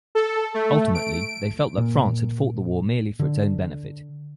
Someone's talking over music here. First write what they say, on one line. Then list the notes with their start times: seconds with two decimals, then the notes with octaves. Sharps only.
Ultimately they felt that France had fought the war merely for its own benefit.
0.15 A4
0.54 A3
0.95 D7
1.78 A#2
3.20 D3